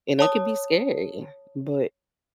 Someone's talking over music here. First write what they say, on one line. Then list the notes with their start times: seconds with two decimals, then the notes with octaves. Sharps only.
and that could be scary, but,
0.19 C#5 A5 D#6